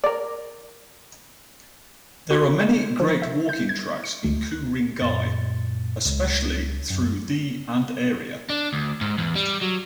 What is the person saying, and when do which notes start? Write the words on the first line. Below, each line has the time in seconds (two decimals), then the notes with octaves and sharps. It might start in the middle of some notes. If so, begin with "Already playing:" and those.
There are many great walking tracks in Ku-ring-gai, especially through the and area.
0.04 A#4 D5
2.31 F#4
2.60 G#3
3.00 F3
3.22 E5
3.49 G6
3.69 G#6
4.04 C#7
4.24 D2
4.51 F#6
5.02 F#2 A#2 A6
6.06 C#2
6.90 F#2
8.50 D4
8.73 D2
9.01 G#2
9.18 E2
9.35 G3
9.61 F#3